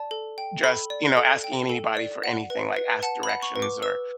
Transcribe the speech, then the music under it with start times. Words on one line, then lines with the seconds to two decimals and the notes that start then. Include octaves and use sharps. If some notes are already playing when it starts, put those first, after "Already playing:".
just, you know, asking anybody for anything, like ask directions or,
Already playing: D5 A5
0.11 A4
0.38 G5
0.64 A4 B5
0.90 D5
1.17 A4
1.44 G5
1.69 A4
1.97 D5
2.23 F#5
2.50 B4
2.76 B4
3.03 F#5 A5
3.23 B5
3.29 F#5
3.42 C#6
3.56 B4
3.62 D6
3.82 B4 E6